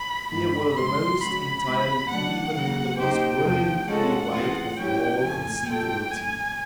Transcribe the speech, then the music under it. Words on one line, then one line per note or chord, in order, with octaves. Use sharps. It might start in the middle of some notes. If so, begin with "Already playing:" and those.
Here were the most entirely even, and the most brilliantly white of all conceivable teeth.
Already playing: B5
G2 D#3 G#3 B3 B5
C3 F3 G#3 B3 C6
C#3 F3 G#3 C#4 F#4 B5
C#3 E3 G#3 B3
B2 F#3 A3 D4 F#5
C#3 F#3 A#3
F#3 A#3 D#4 G4 C5 G5
E2 C3 F3 A3
G#3 C#4 F4 A4 F#5
E3 A3 C4 F4 G#4
F#3 A3 C#4 E4 G4 G5
F2 C#3 F3 A3 G#5
B2 G3 C4 F4 A4 G5
A#2 F#3 A3 G#5